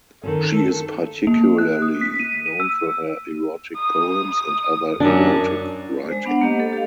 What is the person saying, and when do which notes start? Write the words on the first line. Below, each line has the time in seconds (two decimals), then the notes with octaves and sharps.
She is particularly known for her erotic poems and other erotic writing.
0.23 D#3 C4 C#4 A4
1.27 A#3
1.58 F#6
1.82 D#6
2.01 B6
2.19 D#7
2.46 D#7
2.60 E6
3.77 D#6
5.00 F#2 D4
6.08 G#3 C5
6.25 B3 D4 F#5
6.41 A#3 G4 D#5
6.60 A4
6.73 G4 F5